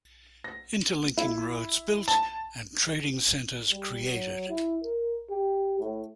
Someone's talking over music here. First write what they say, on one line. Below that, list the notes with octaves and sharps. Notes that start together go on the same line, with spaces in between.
Interlinking roads built and trading centers created.
A#6
E4
A5
G3
F#3
E4
A#4
G4
A2